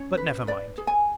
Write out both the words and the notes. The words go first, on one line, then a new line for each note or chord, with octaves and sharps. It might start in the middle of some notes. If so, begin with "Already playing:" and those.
But never mind!
Already playing: C#4 C#5
B4
B4 D5
G#4
G#5